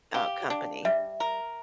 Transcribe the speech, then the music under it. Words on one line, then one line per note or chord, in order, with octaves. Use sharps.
uh, company,
G4 F5
D4
G3 E5
A#4